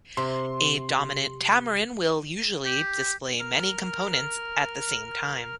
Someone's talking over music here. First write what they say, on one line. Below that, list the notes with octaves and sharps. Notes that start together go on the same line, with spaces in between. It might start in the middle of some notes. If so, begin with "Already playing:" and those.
A dominant tamarin will usually display many components at the same time.
C3 C6
G4
A#4 F6